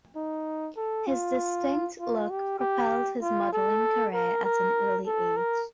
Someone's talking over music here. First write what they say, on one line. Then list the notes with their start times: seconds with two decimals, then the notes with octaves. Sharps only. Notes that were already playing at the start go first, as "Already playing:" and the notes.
His distinct look propelled his modeling career at an early age.
0.16 D#4
0.77 A4
1.07 F4
2.00 F4
2.30 G4
2.60 G4
3.21 F4
3.53 A4
4.13 A#4
4.44 A#4
5.06 A4
5.37 A#4